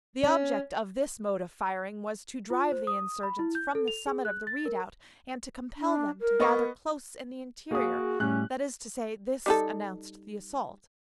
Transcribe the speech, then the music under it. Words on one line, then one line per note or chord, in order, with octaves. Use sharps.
The object of this mode of firing was to drive the insurgents from the summit of the redoubt, and to compel them to gather close in the interior, that is to say, this announced the assault.
C#4
F4
C5
D#6
B5
E4
G6
A4
F7
G#4
F#6
A6
A#4
D4
A#4
B3 D#5 C#6
A#3 F#4 G#4 D#6
A2 G3 C#4 F#6
G3 D#4 A4